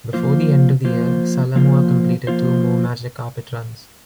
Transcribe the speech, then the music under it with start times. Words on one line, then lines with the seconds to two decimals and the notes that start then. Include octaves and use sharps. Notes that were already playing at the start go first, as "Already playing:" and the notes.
Before the end of the year, "Salamaua" completed two more "Magic Carpet" runs.
0.13 F3 A#3 F4 C5
0.84 F3 A#3 F4 C5
1.56 F3 A#3 F4 C5
2.27 F3 A#3 F4 C5